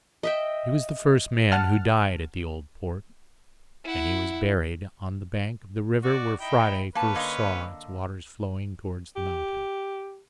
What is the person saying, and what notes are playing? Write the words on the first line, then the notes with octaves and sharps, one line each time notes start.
He was the first man who died at the Old Port, and he was buried on the bank of the river where Friday first saw its waters flowing towards the mountain.
D#5 E5 G5
F#5 A5 F6
E4 F#5
F#4 D5
D#4 E4 G5
A#3 C#4 B4 A5
D3 A#3 D#5
G4